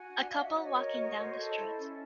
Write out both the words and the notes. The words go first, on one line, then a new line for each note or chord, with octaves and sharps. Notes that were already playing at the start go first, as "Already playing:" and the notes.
A couple walking down the street.
Already playing: F#4 F#5 G#5
D4
F#4 D#5 F5
E5 F#5
C#5 D5
C#5 D#5
A#4
F#4
C5
A4
E4
C#4